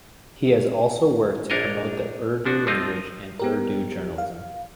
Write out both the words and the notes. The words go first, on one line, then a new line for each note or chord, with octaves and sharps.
He has also worked to promote the Urdu language and Urdu journalism.
A#1 D4 A#4 C#5 D#5
F3 D4 F#4
F3 A3 C4 D#4 F4
B3 G4 A#4
F5